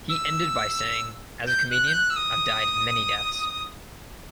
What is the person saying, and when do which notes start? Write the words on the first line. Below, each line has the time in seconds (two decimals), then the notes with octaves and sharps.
He ended by saying, As a comedian, I've died many deaths.
0.09 E6
1.47 G6
1.70 F#6
1.87 G6
1.93 F#6
2.10 E6
2.16 D#6